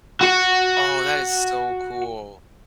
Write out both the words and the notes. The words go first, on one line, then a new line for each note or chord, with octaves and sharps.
Oh, that is so cool.
F#4 F#5